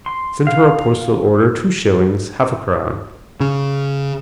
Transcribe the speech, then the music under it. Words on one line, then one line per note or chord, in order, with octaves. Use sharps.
Send her a postal order two shillings, half a crown.
C6
F5
C#3